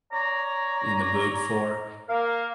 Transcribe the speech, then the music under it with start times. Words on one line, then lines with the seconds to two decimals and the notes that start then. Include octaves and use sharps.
in the mood for.
0.13 C#5 D5 A#5
2.09 A#3 A#4 F5